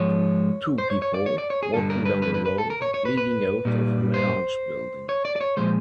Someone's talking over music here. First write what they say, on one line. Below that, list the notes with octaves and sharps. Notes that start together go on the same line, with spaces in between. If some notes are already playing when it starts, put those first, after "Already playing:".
Two people walking down a road leading out of a large building.
Already playing: G#2 F3 G#3 C#5
C5
C#5
C#5
D5
C#5
D5
C#5
G#4
G2 D3 G3 A4
A#4
B4
B4
B4
B4
A4
A#4
C#5
C#5
B4
B4
A#2 G3
C5
C#5
D5
D5
C#5
A#2 F3 G#3 C5